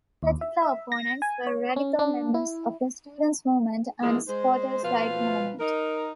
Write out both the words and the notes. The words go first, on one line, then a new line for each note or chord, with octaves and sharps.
Particular opponents were radical members of the students' movement and squatters' rights movement.
D#2
E5
E5
A#6
G#5
C#5
C#4
D4
E4
E3 F3 G#3 A#3
G#3 C5
B2 F3 F4 B4 F5
D#4 A#4